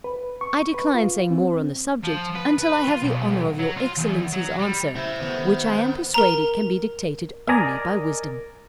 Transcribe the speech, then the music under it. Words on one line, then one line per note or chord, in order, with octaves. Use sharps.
I decline saying more on the subject, until I have the honor of your excellency's answer, which I am persuaded can be dictated only by wisdom.
B4
C#6
B4
F4
C4
F3
B4
B4
F4
B1
F#3
F4
E2
F#3
G3
C#3 E4 C5 E5
D#3 A3 B3
D#3
A#4 A#5
A#4 D5 D#5 G#5 A#5